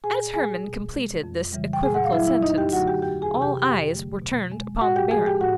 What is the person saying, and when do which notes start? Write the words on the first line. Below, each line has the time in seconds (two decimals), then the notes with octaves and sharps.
As Hermann completed this equivocal sentence, all eyes were turned upon the Baron.
0.04 A#2 G#4 G#5
0.34 G3 G#4 G#5
0.64 B2
0.94 G#3
1.23 F2
1.53 C#3 E3 G3
1.73 G5
1.83 A#2 G#4 G#5
1.94 F#5
2.04 F5
2.12 F#3 A3 E4 E5
2.27 E4 E5
2.42 F#2 D#4 D#5
2.58 G4 G5
2.72 D3 F#3 A3 F#4 F#5
2.87 G4 G5
3.02 E2 G4 G5
3.22 G#4 G#5
3.32 C3 E3
3.42 G4 G5
3.62 F2 G4 G5
3.92 D3 F#3 A3
4.22 B2
4.51 G#3
4.81 A2 F#4 F#5
4.96 G4 G5
5.11 F3 G#3 G#4 G#5
5.26 G4 G5
5.41 A2 F#4 F#5